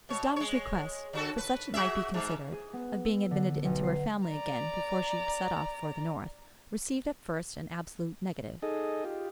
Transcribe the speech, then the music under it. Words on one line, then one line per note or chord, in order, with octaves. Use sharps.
His daughter's request, for such it might be considered, of being admitted into her family again before she set off for the North, received at first an absolute negative.
B2 C#5
G#3 C#5
D3 F#4 A4
B4
F#4 G#4 E5
G#2 G#3
G#4
B3
E6
D3
B1
C7
D5 A#5
D#4 G#4 A4 D#5
F4 G4